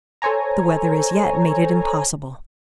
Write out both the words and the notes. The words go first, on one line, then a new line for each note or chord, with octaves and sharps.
The weather as yet made it impossible.
A4 C5 C#5 G#5 A#5